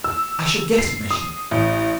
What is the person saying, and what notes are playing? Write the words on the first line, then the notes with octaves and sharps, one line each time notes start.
"I shall get admission."
E6
C7
D#6
A1